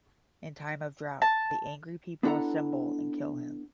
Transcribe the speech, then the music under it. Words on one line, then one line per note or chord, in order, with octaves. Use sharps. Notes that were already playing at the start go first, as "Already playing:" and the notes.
In time of drought, the angry people assemble and kill him.
A5
B3 D4 E4 A4 F#5 A#5